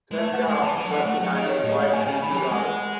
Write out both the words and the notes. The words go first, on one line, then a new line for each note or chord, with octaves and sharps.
Saefkow left behind a wife and two daughters.
G#3
A3 E5
A3 F#5
G#3 G#5
E3 A5
E3 A5
F#3
E3 F#5
A3 F#5
F#3 F#5
D#3 D#5
C#5
A2 D#5
G#2 F#5
A2 G#5
C#3 G#5
D#3 B5
F#3
E3 G#5
G#3 G#5
F#5